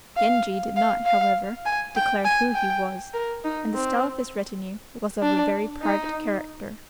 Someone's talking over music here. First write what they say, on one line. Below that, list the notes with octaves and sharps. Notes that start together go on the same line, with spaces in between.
Genji did not, however, declare who he was, and the style of his retinue was of a very private character.
F5
F5
F5
G#5
G5
G#5
G5
A#4
D#4
C4
D4
D#4